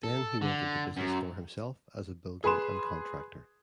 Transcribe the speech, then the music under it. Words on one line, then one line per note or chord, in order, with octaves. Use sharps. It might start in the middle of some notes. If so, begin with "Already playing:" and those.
Then he went into business for himself as a builder and contractor.
A4
D3
F#2
G#4 B4 B5 C6 E7